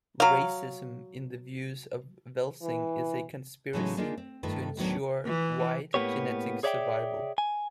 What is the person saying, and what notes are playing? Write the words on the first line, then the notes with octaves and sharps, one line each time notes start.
Racism, in the views of Welsing, is a conspiracy "to ensure white genetic survival".
F#3 F5
E3
A2 C#3 E3 F#3 G#3 D#4
G#3 A#3 D4 D#4 F4 G#4
C4
G2 D#3 A3 F4 B4
D2 A2 D#3 F#3 B3 D4
E3
A2 G3 A#3 B3 G4 C#5
G#4 C#5 D5 E5 F#5 G5
G#5